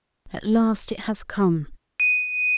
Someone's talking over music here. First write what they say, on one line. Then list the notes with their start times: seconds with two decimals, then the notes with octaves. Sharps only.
"At last, it has come!"
2.00 D#7